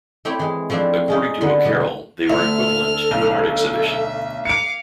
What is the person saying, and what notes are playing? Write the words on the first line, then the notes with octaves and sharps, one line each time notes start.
According to O'Carroll, they were equivalent to an art exhibition.
A3 C4 E4 G4 C#5 G5
E3 G#3
F3 A3 C4 D4 E4 G4
G#3 C#4 D#4
D3 B3 B5 C6
B2 G3
D2 A4 E5 F6
B1
E5
F5 D6 C#7 D7